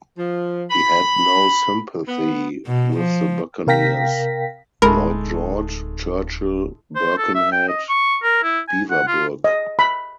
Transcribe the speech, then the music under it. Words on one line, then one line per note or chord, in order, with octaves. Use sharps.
He had no sympathy with the buccaneers - Lloyd George, Churchill, Birkenhead, Beaverbrook.
F3
B5
B3
B2
F3
C3 A#4 F5 G5 A#6 B6
D1 G#3 A3 D#4 A#4 B5
C5
A4
E5
G5
D#5
C#6
A#4
E4
G#5
F#5
F4
D#5
B5